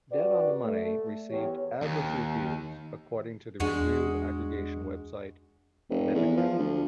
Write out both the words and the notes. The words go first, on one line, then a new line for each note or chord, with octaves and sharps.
"Dead on the Money" received "average" reviews according to the review aggregation website Metacritic.
C#4 F#4 G4 B4 D5
A3
E2 G4 C#5
D#2
E2 G#3 D4 F#4 F#5
F1
E2
F3
D2